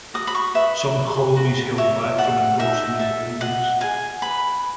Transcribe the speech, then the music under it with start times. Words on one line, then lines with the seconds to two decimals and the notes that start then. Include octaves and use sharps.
Some colonies held back from endorsing independence.
0.14 F#4 D#6
0.27 B5
0.35 C#6
0.54 B4 E5
0.95 B4
1.36 F#4
1.78 C#5 E5
2.18 A4 F#5
2.59 D#4 E5
2.99 A4 E5
3.40 D#5 F#5
3.81 G#4 G#5
4.22 B4 B5